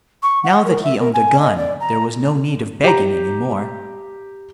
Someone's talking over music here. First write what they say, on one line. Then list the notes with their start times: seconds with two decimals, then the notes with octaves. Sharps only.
Now that he owned a gun there was no need of begging any more.
0.23 C#6
0.44 F#5
0.65 A#4
0.83 E5
0.99 A#4
1.14 G#5
1.39 D#5
1.57 D5
1.80 A#5
2.84 G4 A#5